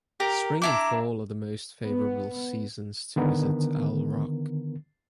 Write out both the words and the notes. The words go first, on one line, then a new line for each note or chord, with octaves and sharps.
Spring and fall are the most favorable seasons to visit Owl Rock.
G4 A#4
D4 E4 A#5 D6
B3
D3 D#3 B3 A#4